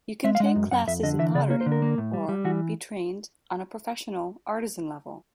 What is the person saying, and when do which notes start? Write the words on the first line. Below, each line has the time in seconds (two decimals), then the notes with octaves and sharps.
You can take classes in pottery or be trained on a professional artisan level.
0.24 G#3 E5
0.35 F5
0.40 G#3
0.46 F#5
0.56 F#2
0.71 F#2 F#5
0.87 F2 E5
1.03 D3 D#5
1.19 E3 E5
1.35 C#3 D5
1.50 A#3 C#5
1.61 C5
1.66 D3
1.72 A#4
1.82 A#3
1.98 A2
2.13 G3
2.29 G3
2.45 E3 F#4